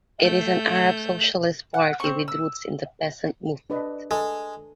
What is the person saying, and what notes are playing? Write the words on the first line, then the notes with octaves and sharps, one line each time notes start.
It is an Arab socialist party, with roots in the peasant movement.
A3 G6
F#5
C4 C#6
E6
D4 B4 D#5
G#3 A4